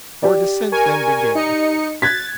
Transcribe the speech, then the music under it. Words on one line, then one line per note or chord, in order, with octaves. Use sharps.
Our descent then began.
G4 D5
A#4 G#5 C#6
D#4 C#7
F#6 G#6 A6 B6